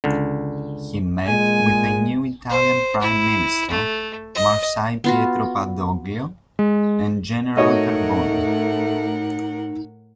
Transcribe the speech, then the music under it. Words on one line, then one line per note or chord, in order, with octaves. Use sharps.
He met with the new Italian Prime Minister, Marshal Pietro Badoglio and General Carboni.
C#2 D3
A#2 G#3 G#5
C5
E4
A3
D#5
B3 F4 F#4
G#3
A2 A3 D#4 F#4 A#4 C#5 D#5 F#5